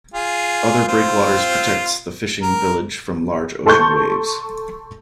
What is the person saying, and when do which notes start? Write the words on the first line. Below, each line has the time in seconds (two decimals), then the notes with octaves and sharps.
Other breakwaters protects the fishing village from large ocean waves.
0.14 F4 G#4
0.88 C4 F4
2.42 A#4
3.66 A4 A5 C6 C#6 G6